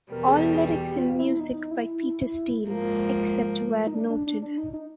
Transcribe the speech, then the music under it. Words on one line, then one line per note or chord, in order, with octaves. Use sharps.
All lyrics and music by Peter Steele, except where noted.
E2 B2 G3 A#4
G#4
A4
G#4
G#4
G4
F4
E4
D#4
E4
G#2 F3 A#3
D#4
D4
D4
D4
D4
D#4
D#4